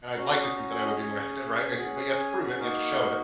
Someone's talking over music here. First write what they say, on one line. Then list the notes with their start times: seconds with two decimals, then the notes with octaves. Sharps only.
and I'd like to think that I would be more acti right? And but you have to prove it and you have to show it.
0.15 C#4 F#4 A#5
0.29 A#5
0.42 D#6
0.56 A#5
0.70 G#5
0.77 F#5
0.83 D#5
0.96 C#4 G#4 C#5
1.77 G#4 F#5
1.82 C#4
1.98 G#5
2.18 G#5
2.31 G#5
2.45 F#5
2.58 A#3 D#4 F#4 A#4